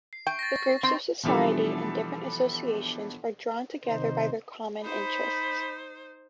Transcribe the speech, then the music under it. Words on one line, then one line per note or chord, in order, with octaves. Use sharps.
The groups of society in different associations are drawn together by their common interests.
C7
G5 C#6
A6 A#6
C4
B2 E3 F3 G3 D4 A4
C3 D#3 D#4 C5
D#4 C5 B5